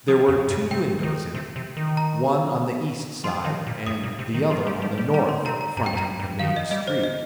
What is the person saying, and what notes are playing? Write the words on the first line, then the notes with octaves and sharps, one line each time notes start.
There were two windows in it, one on the east side and the other on the north, fronting the main street.
F3 D#6
F2
G2
C3 G5
D#3
C3
C3
D#3
A#5
F3 C6
D#3
A#2
G2 D#6
A#2
C3
D#3
F3 C6
G3
G3
G3
G3 A#5
C6
C3 A#5
A#5
G2 A#5
G5
F2
G2 A#5
G2
D#3 F5
D#5
G3 D#5
C5
D#5